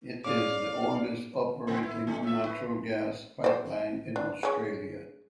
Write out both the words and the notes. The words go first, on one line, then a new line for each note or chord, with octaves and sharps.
It is the oldest operating natural gas pipeline in Australia.
C#4 G#4 D5 F5 D6
C#3 B3 C4
E4
C#3 A3
A2 E5
B4
C5 D5
D4
G#3 C#4